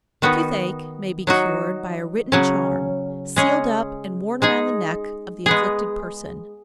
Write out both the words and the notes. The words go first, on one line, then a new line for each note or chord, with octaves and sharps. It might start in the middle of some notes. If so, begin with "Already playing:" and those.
Toothache may be cured by a written charm, sealed up and worn around the neck of the afflicted person.
D#3 B3 D#4 F#4
F#3 D#4 F#4
C#3 F#3 C#4
G#3 C#4 G#4
G#3 D#4 G#4
G#3 B3 G#4